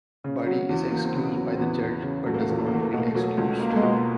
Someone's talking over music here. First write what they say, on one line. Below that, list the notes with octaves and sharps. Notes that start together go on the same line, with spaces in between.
Buddy is excused by the judge, but does not feel "excused".
C#3
F#3
E2
E2 A#3
C4
C#3 B3
F#3 B3
C4
E2 B3
E2
C#3
F#3 A3
A#3
A3
E2 A#3
A3
A#3
E2 A3
A#3
B2 A3
A#3
A3
F#3 A#3
A3
C#2
A#3
A3
G#3
B2